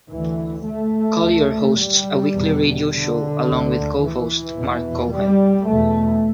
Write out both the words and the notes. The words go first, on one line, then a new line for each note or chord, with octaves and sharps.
Collier hosts a weekly Radio Show along with co-host Marc Cohen.
D2 E3
A3
D2
G3
E2 B2
D3
D2
E3
E2 B2
G3
E2 B2 A3